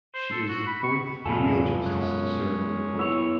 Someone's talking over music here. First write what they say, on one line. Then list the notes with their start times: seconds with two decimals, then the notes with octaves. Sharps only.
She is the fourth female justice to serve on the court.
0.14 C5
0.31 A4
0.49 F#4
0.67 B5
0.83 C#6
1.26 B1 E2 G#2 F4 A4 G#5 B5
1.86 F#2 G#3 C#4 F#6
2.99 B3 E4 C#5 E6